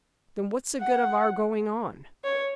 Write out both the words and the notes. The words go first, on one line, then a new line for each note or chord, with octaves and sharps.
"Then what's the good of our going on?"
F#5
C#5